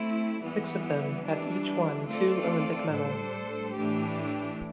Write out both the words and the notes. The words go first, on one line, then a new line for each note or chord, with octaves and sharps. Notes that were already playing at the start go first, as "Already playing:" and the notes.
Six of them have each won two Olympic medals.
Already playing: A3 C4 E4
E3 G3 B3
E3 G3 D4
A3 C4 F4 A4 D5
A2 G3 D4 A4 C5
A2 E3 A3 D4 G4